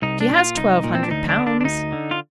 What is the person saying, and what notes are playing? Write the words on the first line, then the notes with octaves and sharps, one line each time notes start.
"She has twelve hundred pounds."
C2 D#4
D4
A#2
F4
C2 D#4
A#2
C4
D4
D2 D#4
D4
D3
D4
D4
D2 D#4
D3
F4